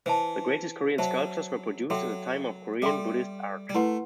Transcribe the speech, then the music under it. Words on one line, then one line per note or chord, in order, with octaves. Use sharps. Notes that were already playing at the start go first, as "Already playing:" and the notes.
The greatest Korean sculptures were produced in the time of Korean Buddhist art.
E3 C5 E5 A5
F#3 C5 E5 A5
F#3 A4 E5 G5 C6
G3 A4 E5 G5 C6
G3
A3 E4 B4 F#5 C6